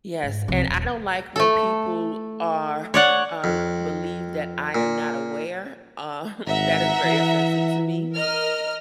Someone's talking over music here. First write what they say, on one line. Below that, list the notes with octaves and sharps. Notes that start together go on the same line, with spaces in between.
Yes, and I don't like when people are um, believe that I am not aware, um, that is very offensive to me.
G#2
C2 F3
D#1
A3 A4
C#5 D5 F#5
F2
A#2
G#1 E5 F#5 A#5
E3
A#4 D#5 F6